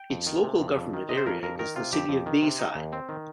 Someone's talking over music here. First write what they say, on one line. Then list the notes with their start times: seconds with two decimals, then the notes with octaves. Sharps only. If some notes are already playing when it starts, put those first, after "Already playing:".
Its local government area is the City of Bayside.
Already playing: G5
0.10 F2
0.26 D#3
0.44 C3
0.60 F2
0.76 F2
0.93 D#3
1.09 C3 D#5
1.17 C5
1.26 F2 A#4
1.43 F2 A#4
1.59 D#3 A#4
1.76 C3 F4
1.93 F2 G4
2.09 F2
2.26 D#3
2.42 C3
2.59 D#4
2.75 D#2
2.93 C4
3.09 D#3